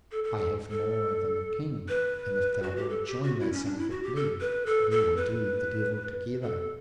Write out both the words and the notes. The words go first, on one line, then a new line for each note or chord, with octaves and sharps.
I have more than the king, and if thou wilt join thyself with me, we will do the devil together.
A4
A4
A4
A4
B4
F#4
G4
A4
G4
F#4
E4
C#4
D4
E4
F#4
G4
A4
B4
A4
A4
B4
A4